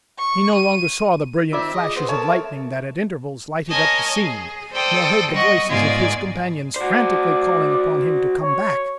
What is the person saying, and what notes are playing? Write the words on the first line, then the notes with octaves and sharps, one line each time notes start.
He no longer saw the brilliant flashes of lightning that at intervals lighted up the scene, nor heard the voices of his companions frantically calling upon him to come back.
C#6
D#7
D#3 C4 F4 D5 E5 D6
G#4 D#5
B3 G#4 C5
A4 A#4 C#5 A5
E5
A#4 C#5 D#5 G#5 A5
G#4
A4 C5 D5 G5 D#6
G3 D#5 F#5 C#6
G#2 B3 F4 G#4 D5 G#6
F#4 C5 D5
C#5